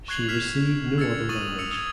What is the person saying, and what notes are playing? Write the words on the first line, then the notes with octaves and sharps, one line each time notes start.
She received no other damage.
C#6 F#6 G#6 C7 F7 F#7
F6 G#6 B6 C7 E7 F7
E6 G#6 A6 C#7
C#6 D#6 A6 D#7 F7 F#7
E6 C#7 F7
D#6 G#6